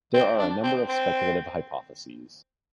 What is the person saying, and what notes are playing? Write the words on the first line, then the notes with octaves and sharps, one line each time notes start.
There are a number of speculative hypotheses.
C4
D4
C4
C4